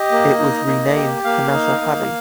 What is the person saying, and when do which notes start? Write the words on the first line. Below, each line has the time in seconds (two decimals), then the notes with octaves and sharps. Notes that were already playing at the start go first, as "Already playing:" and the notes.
It was renamed Canajoharie.
Already playing: G4 D#5
0.11 A#3
0.39 D#4
0.68 A#3
0.96 G4
1.24 A#3 F5
1.53 D#4
1.81 A#3